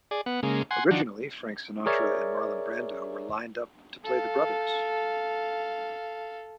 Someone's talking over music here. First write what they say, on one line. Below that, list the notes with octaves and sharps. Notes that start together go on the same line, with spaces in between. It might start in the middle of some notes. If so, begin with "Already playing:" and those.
Originally Frank Sinatra and Marlon Brando were lined up to play the brothers.
G#4 D5
B3 F#5
C#3 G#3 A#3
F#5 G#5 C6
D#3 F3 D4 F#4
G#4 A#4 C#5 D5 E5
A4 F5